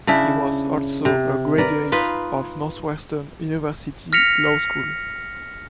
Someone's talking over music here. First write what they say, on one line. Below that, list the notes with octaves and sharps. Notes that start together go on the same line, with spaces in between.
He was also a graduate of Northwestern University Law School.
C#3 D4 E4 E5
C3
A#4 B4 D5
D#4 F4 B4
F6 A#6 B6 C#7 F7